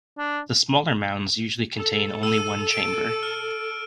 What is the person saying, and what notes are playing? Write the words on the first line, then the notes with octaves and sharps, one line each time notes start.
The smaller mounds usually contain only one chamber.
D4
A4
E6 D#7
D7
F6